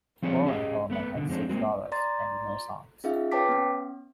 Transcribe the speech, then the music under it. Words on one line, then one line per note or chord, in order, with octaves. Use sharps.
William Hillman had six daughters and no sons.
F3 C4 G#4 C#5 D5
C#4 G4 G#4 D#5
A3 B3 B4
B2 D3
F2 G#3 C4 D4
G#3 A#3 C4 F#4
D5 A#5 C6 A6
C#4 D#4 F4 G#4 E5 F5
B4 C#5 G5 A5 D6 B6
B3 C#4